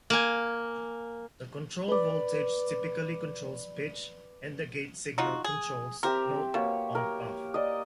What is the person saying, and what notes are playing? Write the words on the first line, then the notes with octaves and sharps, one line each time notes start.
The control voltage typically controls pitch and the gate signal controls note on-off.
A#3 G#5
B4 D5
D#4 F4 F#4
G#4
C4 G4 A#4 E5
B2 A#3 C#5
A#4
D5 D#5